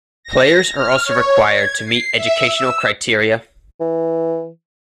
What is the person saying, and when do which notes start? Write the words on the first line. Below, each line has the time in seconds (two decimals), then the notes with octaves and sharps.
Players are also required to meet educational criteria.
0.23 A#6
0.74 F6
1.05 C#5
1.52 G#6
1.85 C7
2.16 E5
2.50 E6
3.81 E3